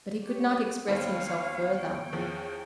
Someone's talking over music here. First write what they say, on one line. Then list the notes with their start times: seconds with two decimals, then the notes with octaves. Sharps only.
But he could not express himself further.
0.24 G4 C#5
0.88 D#2 B3 C5 C#5 F5
1.75 C#5 G5
2.13 E2 F3